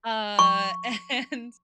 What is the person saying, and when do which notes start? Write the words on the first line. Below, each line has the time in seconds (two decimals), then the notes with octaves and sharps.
Uh, and
0.39 C#6